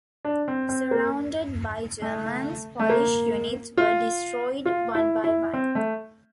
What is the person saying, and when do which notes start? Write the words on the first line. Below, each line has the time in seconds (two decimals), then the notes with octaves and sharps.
Surrounded by Germans, Polish units were destroyed one by one.
0.25 D4
0.48 C4
0.69 C4
0.91 A#3
2.02 A3
2.79 A3
2.90 A#3
3.77 F4
4.65 F4
4.95 E4
5.24 E4
5.53 C4
5.75 A3